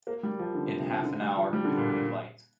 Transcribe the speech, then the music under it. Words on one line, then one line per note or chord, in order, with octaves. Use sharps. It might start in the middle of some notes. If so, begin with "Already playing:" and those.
In half an hour it'll be light.
A#3
G3
F3
D3
C3
C3
C3
D3
G3
F3
G3
D3
A#2
A#2